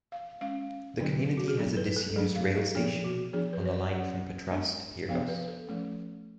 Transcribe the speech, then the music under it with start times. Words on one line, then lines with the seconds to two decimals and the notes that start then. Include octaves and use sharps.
The community has a disused rail station on the line from Patras to Pyrgos.
0.12 F5
0.41 G#3 C#4 F5
0.99 D3 F#3 B3 D4
1.37 F#4
1.48 G#4
1.58 F#3 B3 D4 A4
1.77 B4
1.96 A4
2.16 F#3 A3 D4 G#4
2.36 F5
2.55 A4
2.75 F3 B3 D4 G#4
3.04 F#4
3.33 F3 B3 D4 G#4
3.53 B4
3.65 C#5
3.73 D5
3.91 F#3 C#4 F#5
4.50 G#3 B3 D4
5.09 F3 B3 D4 F5
5.28 B4
5.48 A4
5.67 F3 A3 C#4